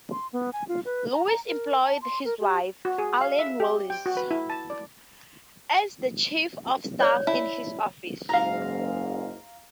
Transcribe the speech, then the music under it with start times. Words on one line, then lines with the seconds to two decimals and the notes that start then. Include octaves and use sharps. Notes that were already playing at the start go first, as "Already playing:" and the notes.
Lewis employed his wife, Arlene Willis, as the chief of staff in his office.
0.12 C6
0.33 B3
0.53 G#5
0.69 F4
0.85 B4
1.13 A#5
1.27 A#5
1.47 A#4
1.84 A5
2.02 C6
2.25 A#4
2.40 G4
2.85 F#4
2.98 G#4
3.21 F5
3.39 E5
3.60 G4
3.90 G5
4.06 F#4
4.17 B4
4.31 E4
4.50 A5
4.70 D5
7.00 C#5 D5
7.27 E4 A5
8.29 F#1 G#2 F5 A#5